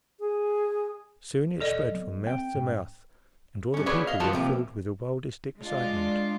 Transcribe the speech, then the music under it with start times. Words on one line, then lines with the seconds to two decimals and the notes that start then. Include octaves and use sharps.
Soon it spread from mouth to mouth, and all the people were filled with the wildest excitement.
0.20 G#4
1.61 E1 A4 D5 D#5
1.92 F#3 B3
2.27 C4 G5
2.54 G#2 C#4
3.74 G2 C#4
3.86 F#4 G#4 B4 C#5 D5
4.07 D#5 F5
4.20 F3 F4 F#4 A5 C6
4.33 C3 F3 A#3
5.60 G#3 D4 F4